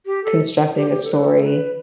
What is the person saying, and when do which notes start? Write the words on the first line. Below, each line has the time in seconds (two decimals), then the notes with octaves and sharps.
constructing a story,
0.06 G4
0.23 A4
0.75 G4
0.90 G4
1.04 A4
1.11 B4
1.18 A4
1.45 B4